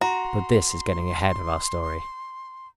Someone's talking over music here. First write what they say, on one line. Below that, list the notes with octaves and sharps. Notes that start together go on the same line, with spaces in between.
But this is getting ahead of our story.
F#4 A#5 C6